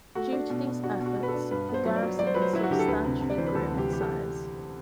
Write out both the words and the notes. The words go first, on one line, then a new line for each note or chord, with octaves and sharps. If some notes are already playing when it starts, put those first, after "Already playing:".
Due to these efforts, the garrison substantially grew in size.
A3 F#4
D4
B2
B2
D4 F#4
B2
F#4
B2
B4
A4
D4
G2 B4
B3
C5
F#3
D5
F#3
F#3 D5
C5
F#3 B4
C5
F#3 E4
F#4
D3 G4
A4
D2 B4
C3
C3
D5
E3 C5
B4
D2 A4
C3
G4
E3 G4
A4